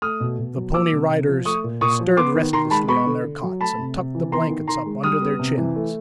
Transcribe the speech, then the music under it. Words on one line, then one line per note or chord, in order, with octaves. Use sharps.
The Pony Riders stirred restlessly on their cots and tucked the blankets up under their chins.
A3 D#6 F6
B2
B2
F#3
A#3 D6 E6
C3
C3
F3
A3 C#6 D#6
A#2
A#2 C#6 D#6
F3
B3 C6 D6
D#3
D#3 A#5 C6
G#3 A5 B5
B3 B5 C#6
D3
D3
F#3
A3 A5 B5
C3
C3
E3
B3 A#5 C6
D#3
D#3 A#5 C6
G#3
G3 D#6 F6
B3
C3
E3
A3